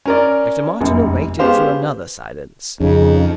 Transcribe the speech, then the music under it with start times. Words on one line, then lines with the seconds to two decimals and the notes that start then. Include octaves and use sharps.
Dr. Martineau waited through another silence.
0.06 C#4 A#4 D5
0.81 F1 A#1 F#2
1.39 G#3 B3 C#4 G4 C5 F5
2.80 F2 C#3 D#4